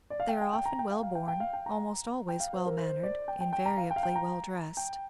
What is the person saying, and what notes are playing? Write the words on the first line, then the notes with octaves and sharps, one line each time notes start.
They are often well born, almost always well mannered, invariably well dressed.
D5
F5
G5
G5
G5
A#5
G5
F5
F5
G5
G5
F5
G5
A#5
G5
F5
C5
A#4
C5
D5
G5
G5
G5
A#5
F5
G5
F5
G5
A#5
G5